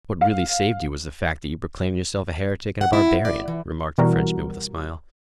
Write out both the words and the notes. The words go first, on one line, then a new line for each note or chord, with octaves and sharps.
"What really saved you was the fact that you proclaimed yourself a heretic and a barbarian," remarked the Frenchman with a smile.
F5
F#5
E4
D5
E3
B2 E3 G3 F#4 A#4